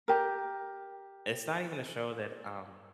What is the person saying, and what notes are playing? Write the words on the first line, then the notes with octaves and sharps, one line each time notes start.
it's not even a show that, um,
G4 A#4